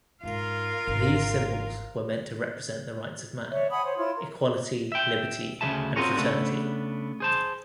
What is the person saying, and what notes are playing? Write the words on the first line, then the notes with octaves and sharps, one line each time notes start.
These symbols were meant to represent the rights of man: Equality, Liberty and Fraternity.
G#2 F4 A#4 F5
G#1
C#5 D5 E5
F#5 G#5 B5 D#6
C5 C#5
E4 F4 C#5 C6
A#4
E5 G5
D2 C#3 F3 G#4 E5 A5
C4 F4 F#4 G#4 A#4 C#5
C#3 A3 B3 D4
G#4 C5 A5